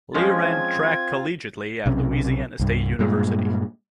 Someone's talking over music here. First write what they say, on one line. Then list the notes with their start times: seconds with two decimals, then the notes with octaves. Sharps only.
Lee ran track collegiately at Louisiana State University.
0.15 F3 G#3 C4 C#4 F4 G#6
1.86 B1 C3 C#4
2.60 C2 G2
2.99 G2 A#2 G#3